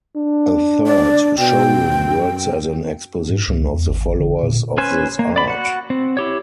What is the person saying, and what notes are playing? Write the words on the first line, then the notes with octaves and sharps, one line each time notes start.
A third show room works as an exposition of the followers of this art.
D4
D5
B2 G5
F#2
G#2
C#2
E2
G#1
D3
A#2
C#4 B4 C5 G#5
A#3
D5 B5
F#4 F#5
C4
E4 G4 C#5